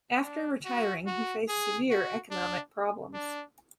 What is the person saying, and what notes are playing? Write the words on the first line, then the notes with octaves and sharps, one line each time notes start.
After retiring, he faced severe economic problems.
D4
F#4
F#4
G#4
F#4
D4
D4